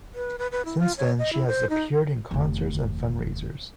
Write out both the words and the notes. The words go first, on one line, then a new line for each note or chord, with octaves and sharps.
Since then she has appeared in concerts and fundraisers.
B4
B4
B4
E4
F4
C#5
D#5
E4
C5
D#4
F1 D#2